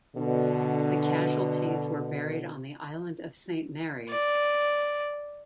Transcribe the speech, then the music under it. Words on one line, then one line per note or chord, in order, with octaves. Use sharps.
The casualties were buried on the island of Saint Mary's.
B2 D3
D5